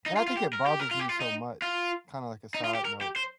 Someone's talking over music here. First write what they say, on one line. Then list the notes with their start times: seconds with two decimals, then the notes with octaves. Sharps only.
and I think it bothers me so much, kinda, like a side note,
0.06 D#4
0.17 F4
0.28 F4
0.37 G4
0.53 A#4
0.66 G4
0.80 A#4
0.91 F4
0.99 G4
1.10 F4
1.20 D#4
1.62 F4
2.54 D#4
2.64 F4
2.75 G4
2.85 A#4
3.01 G4
3.16 C5